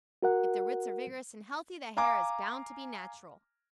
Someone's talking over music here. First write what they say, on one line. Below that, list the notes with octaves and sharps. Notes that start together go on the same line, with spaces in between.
If the roots are vigorous and healthy, the hair is bound to be natural.
F#4 A#4 F#5
F5 G#5 A#5 D6